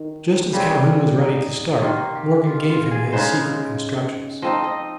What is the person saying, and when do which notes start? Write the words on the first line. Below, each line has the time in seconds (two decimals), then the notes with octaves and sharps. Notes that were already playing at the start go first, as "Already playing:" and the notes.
Just as Calhoun was ready to start, Morgan gave him his secret instructions.
Already playing: D#3
0.53 C#3 G3 C4
1.18 D#4
1.82 C3 D#3 A#3 F4
2.15 G4
2.47 F4
2.70 F4
2.91 G#4
3.12 C#3 G#3 D#4 C5
4.42 F3 C4 D#4 D#5
4.64 D#5